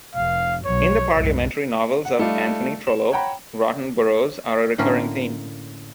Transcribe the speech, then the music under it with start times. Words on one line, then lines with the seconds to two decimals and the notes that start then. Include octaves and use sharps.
In the parliamentary novels of Anthony Trollope rotten boroughs are a recurring theme.
0.15 F1 F5
0.65 B1 F3 F#3 C#5
1.15 F#1 C2 G#2
2.05 F#5
2.19 G3 A3 D#4 F4 D5 F5
2.87 E7
3.12 C#5 F#5 G5 A#5 B5
4.78 A2 D3 A#3 C#4